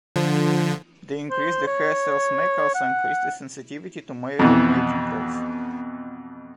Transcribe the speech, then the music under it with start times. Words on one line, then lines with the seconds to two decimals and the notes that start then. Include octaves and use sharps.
The increase the hair cells make also increase the sensitivity to male mating calls.
0.16 D3 F3
1.30 C5
1.67 C#5
2.75 F#5
4.39 F2 B2 E3